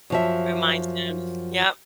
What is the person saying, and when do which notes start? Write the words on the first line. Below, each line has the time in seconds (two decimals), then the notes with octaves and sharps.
Reminds him, yep.
0.10 F#2 F3 E5